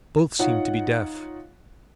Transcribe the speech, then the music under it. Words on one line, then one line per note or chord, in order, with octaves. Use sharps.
Both seemed to be deaf.
D#4 F4 C#5 F#5